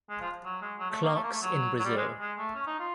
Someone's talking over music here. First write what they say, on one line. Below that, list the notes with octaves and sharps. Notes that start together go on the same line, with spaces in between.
Clarke's in Brazil.
G#3
F3
F#3
G#3
F#3
A3
A#3
A3
A#3
A3
F#3
F#3
G3
G#3
G#3
A3
C#4
D#4
F4